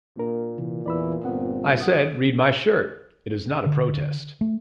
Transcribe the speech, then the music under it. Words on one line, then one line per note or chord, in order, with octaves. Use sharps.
I said, 'Read my shirt, it is not a protest.
A#2 A#3 D4 A#4
C3 E3
E2 E3 D5 B5 E6
G1 B3 C4 F#5
F#5 D#6
D3
A3